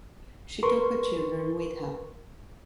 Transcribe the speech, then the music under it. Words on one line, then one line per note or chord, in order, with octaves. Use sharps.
She took her children with her.
A#4 B4 C6 C#6